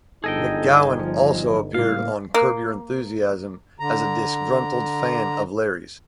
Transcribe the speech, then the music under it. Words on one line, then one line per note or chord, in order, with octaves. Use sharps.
McGowan also appeared on "Curb Your Enthusiasm" as a disgruntled fan of Larry's.
G1 D#4 G#4 A4 D#5 G5
F3
A2 C#3 G3 A#3 E4 F5
A#3
D3 A#5